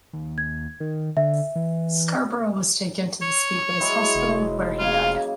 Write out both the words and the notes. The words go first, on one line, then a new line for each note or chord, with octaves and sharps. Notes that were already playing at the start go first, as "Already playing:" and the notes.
Scarborough was taken to the speedway's hospital, where he died.
D#2
G#6
D#3
D3 E5
E3
C#5
E3 F#3 G#3
F1
C#3 A#3 F4 G#5